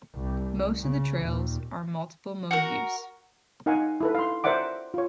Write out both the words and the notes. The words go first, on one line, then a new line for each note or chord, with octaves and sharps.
Most of the trails are multiple mode use.
C2
C#3
D#2 A#2
F#4 A#4
D#4 A#4 F5 F#5 G#5
E4 A4 B4
F5 C6
A#4 C5 D5 E5 F#5 D6
F4 C#5